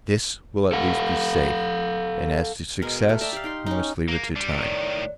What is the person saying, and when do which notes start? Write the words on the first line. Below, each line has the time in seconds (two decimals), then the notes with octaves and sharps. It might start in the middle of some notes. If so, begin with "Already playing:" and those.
This will at least be safe; and as to success,-we must leave it to time.
0.73 A4 F5 F#5
2.82 B2 G#3 A#4 G#5
3.09 A3
3.21 D5 E5 G5 A#5
3.33 G4 D5 F5
3.44 D#4 G5 C6
3.66 C#4 D#4
4.08 F#3 A#3 G#4
4.36 G3 A3 D4
4.51 A2 D#3 D4 A#4 C#5